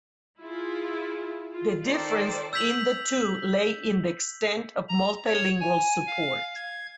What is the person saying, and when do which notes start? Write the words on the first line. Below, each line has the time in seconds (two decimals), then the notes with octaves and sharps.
The difference in the two lay in the extent of multilingual support.
0.39 E4 F4 G#4
1.52 F4
1.85 D#3 A4 C5 D5
2.53 E6 G6 G#6 B6 F7 F#7
4.89 A#5
5.26 C#5
5.60 G#5
6.07 F5
6.55 G#6